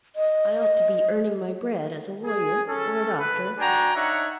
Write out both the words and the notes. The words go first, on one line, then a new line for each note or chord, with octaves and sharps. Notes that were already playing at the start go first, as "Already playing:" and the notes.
I ought to be earning my bread as a lawyer or a doctor.
D#5
G#4
C#4 A4
B4
D4 F#4 G5 G#5 A#5
D4 D#4 C#5 E5 F#5